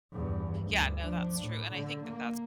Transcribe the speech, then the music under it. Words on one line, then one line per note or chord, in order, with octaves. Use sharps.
Yeah, no, that's true, and I think that that's p
E2 G2
D2 G2
F3 D4
A2
D3
A#3